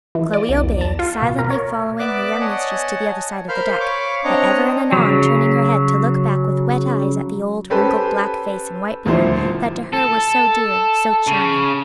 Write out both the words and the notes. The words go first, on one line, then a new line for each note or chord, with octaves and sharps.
Chloe obeyed, silently following her young mistress to the other side of the deck, but ever and anon turning her head to look back with wet eyes at the old wrinkled black face and white beard that to her were so dear, so charming.
E3
D5
C2
E2
A5
F4
B2
A#4
C#5
B3 D5 E5 D6 F#6
C#5 D#5 F#5 G#5 A5
A#4 C5 F5 B5 F6 G6
C#5 F5 B5 C#6 D6
C4 D4 C#5 D#5 A#5
C#3 F#3
C#4 G4 A4 B4 C5
D#1 D2 F3 E4 C5
A4
C#3